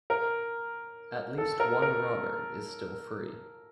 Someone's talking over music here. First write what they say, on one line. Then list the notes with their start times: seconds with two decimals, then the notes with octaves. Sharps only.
At least one robber is still free.
0.10 A#4
1.38 A4
1.60 A#4
1.82 A#4